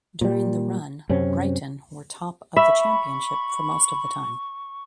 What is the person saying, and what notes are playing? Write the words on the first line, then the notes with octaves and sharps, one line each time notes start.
During the run, Brighton were top of the Championship for most of the time.
A#2 G3
F#2 C3 C4 C#4
E5 B5 C#6